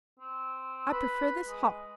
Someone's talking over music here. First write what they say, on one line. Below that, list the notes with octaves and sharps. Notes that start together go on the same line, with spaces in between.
I prefer this hock.'
C4
B4
G#3